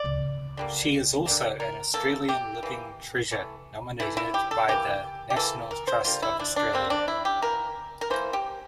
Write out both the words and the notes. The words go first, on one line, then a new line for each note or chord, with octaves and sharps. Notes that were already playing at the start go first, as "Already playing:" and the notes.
She is also an Australian Living Treasure nominated by the National Trust of Australia.
Already playing: D5
D3 G3 A#3
D3 G3 A#3
A#4
E3 A#3 A4
G4
E3 A#3
E3 A3
E3 A3 E4
E4
G4
A4
E3 A#3 G4
G4
E3 A#3 A4
A#4
C5
D3 G3 A#3 F4
E4
D4
D4
D3 G3 A#3 C4
D4
E4
G4
E3 A#3 A#4
A#4
E3 A#3 C5
G4